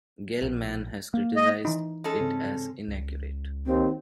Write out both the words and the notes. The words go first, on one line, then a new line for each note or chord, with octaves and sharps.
Gell-Mann has criticized it as inaccurate.
A#1
A#3
D#5
E3 D#4
G#3 C#4 A4
G#2 C#3 C4
C#2
D#2 C4